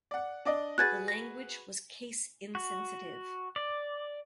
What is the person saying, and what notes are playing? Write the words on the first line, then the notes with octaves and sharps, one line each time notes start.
The language was case insensitive.
D5 F#5
D4 D5 D#5
F#4 G#4 B4 F#6 G#6 A6
A#6
F#4
D5